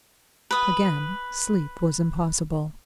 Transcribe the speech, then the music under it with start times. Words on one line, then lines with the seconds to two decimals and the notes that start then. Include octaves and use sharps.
Again sleep was impossible.
0.51 B4 D#6